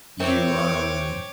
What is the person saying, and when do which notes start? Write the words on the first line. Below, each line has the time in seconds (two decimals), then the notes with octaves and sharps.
you, um,
0.20 C4 E4 A#4 C#5 D6